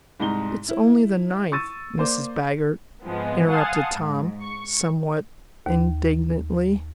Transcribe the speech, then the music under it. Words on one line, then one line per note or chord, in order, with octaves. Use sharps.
"It's only the ninth, Mrs. Baggert," interrupted Tom, somewhat indignantly.
C2 G#2 D#4 A#5 C6 G7
E4
C#6 E6 A6 D#7
A#3 C5 D5
G#2 F3 G#3 B3 C4
F5 F#5 G#5 A5 C6 D#6
G#2
C#6
D#2